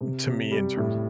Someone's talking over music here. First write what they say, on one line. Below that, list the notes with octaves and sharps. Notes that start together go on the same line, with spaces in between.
to me in terms of
C3
C3
G3
A2